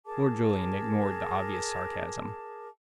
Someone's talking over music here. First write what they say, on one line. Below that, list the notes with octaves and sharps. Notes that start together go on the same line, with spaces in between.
Lord Julian ignored the obvious sarcasm.
G#4 A#4 A5 D6